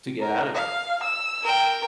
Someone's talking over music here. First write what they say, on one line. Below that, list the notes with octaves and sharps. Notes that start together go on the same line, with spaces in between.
To get out of it.
A#4
F5
E6
A#4 G5